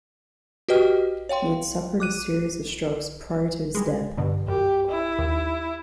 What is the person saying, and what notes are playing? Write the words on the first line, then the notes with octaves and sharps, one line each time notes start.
He had suffered a series of strokes prior to his death.
F#4 G4 B4 D#5 G5 F6
C#5 F5 G5 C6
D6 F#6 D#7
G3 G#3
G2 B2 D3
F#2 G4
E4
D#2